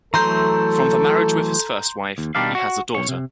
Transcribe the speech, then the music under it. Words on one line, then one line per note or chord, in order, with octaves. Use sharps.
From the marriage with his first wife, he has a daughter.
E3 F#3 A3 A4 A#5 C6 G6
D#2
B2 D#3 G3 D4 F5
F#4
B1 C#5
C3